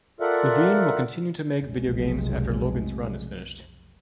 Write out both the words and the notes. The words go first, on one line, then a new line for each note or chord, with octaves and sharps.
Levine will continue to make video games after "Logan's Run" is finished.
F4 A4 A#4 D5 E5 F#5
F1 B1 G#3